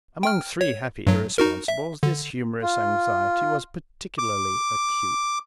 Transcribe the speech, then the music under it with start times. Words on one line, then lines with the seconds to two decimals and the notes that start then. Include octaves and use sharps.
Among three happy irresponsibles this humorous anxiety was particularly acute.
0.23 G5 F6
0.61 C#5
1.07 G2 F#3
1.38 D#4 F#4 A#4
1.68 E5
2.03 D3
2.61 F4
4.18 D6